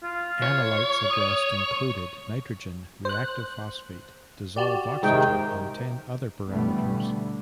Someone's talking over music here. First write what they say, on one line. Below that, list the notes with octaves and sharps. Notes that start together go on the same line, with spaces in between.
Analytes addressed included nitrogen, reactive phosphate, dissolved oxygen and ten other parameters.
F4
C#5
D#6
C5 F#6
F#4 G4 D5
G#2 C3 D#3 D#4 G5
B2 D3 E3 G3 A3 B3
D3